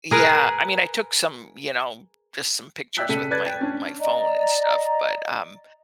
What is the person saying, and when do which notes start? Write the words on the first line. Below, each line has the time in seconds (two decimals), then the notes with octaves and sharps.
Yeah, I mean, I took some, you know, just some pictures with my my phone and stuff, but um,
0.11 G#4 A#4 B4
2.97 D5 E5 G5 E6 F#6 B6
3.09 C#3 A4 B6 C#7 D#7
3.31 B4 D5 F#6 G#6 A6
3.46 G5
3.61 C#4 D4
3.99 D5 D#5 A#5